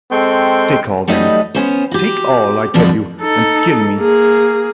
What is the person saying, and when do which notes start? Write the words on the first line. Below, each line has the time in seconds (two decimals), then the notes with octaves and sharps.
"Take all, then--take all, I tell you, and kill me!"
0.11 G#3 C4 A4 G5 C6 C#6
1.08 F#3 G3 A3 D#4 B4 D#5
1.55 B3 C#4 C5
1.91 F#4 G4
2.74 F2 B2 D3 F3 D4 B4
3.21 D#4 A4
3.98 A#3 G#4